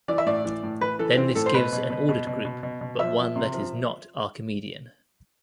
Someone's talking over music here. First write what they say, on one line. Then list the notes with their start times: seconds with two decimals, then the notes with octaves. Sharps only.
Then this gives an ordered group, but one that is not Archimedean.
0.08 E3 D5
0.18 E5
0.26 A2 D5
0.45 E3
0.63 A2
0.81 E3 B4
0.99 E3 A4
1.17 E3 C4
1.35 A2 A4
1.46 C5
1.54 B2 B4
1.73 B2
1.90 B2
2.09 B2
2.27 B2
2.45 B2
2.63 B2
2.81 B2
2.99 F3 E5
3.18 F3
3.36 C3
3.54 F3